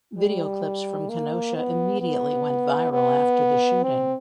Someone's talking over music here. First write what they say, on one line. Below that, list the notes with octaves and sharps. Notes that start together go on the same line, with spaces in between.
Video clips from Kenosha immediately went viral after the shooting.
G3
A#3
B3
B3
B3
C4